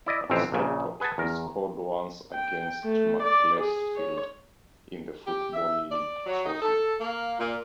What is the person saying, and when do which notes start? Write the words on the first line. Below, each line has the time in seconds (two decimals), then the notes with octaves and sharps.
At Stockport he scored once against Macclesfield in the Football League Trophy.
0.06 E4 D5 D#5
0.30 A1 F2 C3 E3 C4 F5
0.52 A#1 A#2 C#3
1.00 G#4 B4 F#5 G#5 A5
1.18 E2 A#4
2.33 G5
2.84 A3
3.22 D5
3.60 G#4
3.96 C#5
5.25 G4
5.53 E5
5.91 D5
6.26 F#3
6.45 D#4
6.62 A4
7.01 A#3
7.38 A#2